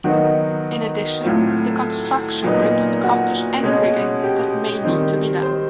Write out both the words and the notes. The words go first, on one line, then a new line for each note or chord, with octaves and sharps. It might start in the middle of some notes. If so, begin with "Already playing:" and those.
In addition, the construction grips accomplish any rigging that may need to be done.
D#3 F#3 B3 D#4 F#4
A2 F#3 A3 C4 F4
A#2 F#3 B3 D#4
F#4
B2 G#3 C#4
G4
D#3 G3 C4 D#4
C5